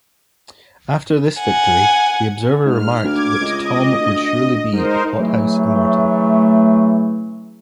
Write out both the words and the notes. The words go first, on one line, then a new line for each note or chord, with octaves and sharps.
After this victory, The Observer remarked that Tom would surely be a 'Pothouse Immortal'.
F#5 G#5
G#2 F6
D2 D6 G#6
C#2 D#5
D2
G#2 D#4 A#4 C5
C#3 E3 F#3 A3